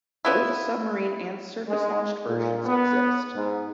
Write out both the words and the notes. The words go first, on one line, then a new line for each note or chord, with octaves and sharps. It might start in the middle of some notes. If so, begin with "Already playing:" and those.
Both submarine- and surface-launched versions exist.
F3 B3 E4
G#3
A#2
B3
G#2